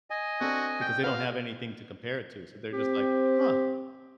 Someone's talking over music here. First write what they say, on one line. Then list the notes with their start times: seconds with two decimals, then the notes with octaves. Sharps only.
because they don't have anything to compare it to, so they're just, like, "Huh."
0.10 D#5 G#5
0.41 C4 D4 F#4 A4
0.82 G5
1.03 F#4 B4 F5
2.73 C4 G4